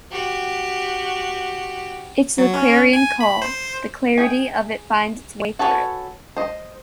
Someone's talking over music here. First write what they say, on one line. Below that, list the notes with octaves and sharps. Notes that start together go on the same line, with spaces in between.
It's the clarion call, the clarity of it finds its way through.
F#4 G4
F#3
C#4
G#5
B5
C5
G#4 G5 G#5
F#4 A4 B4 C#5 G#5
C5 D#5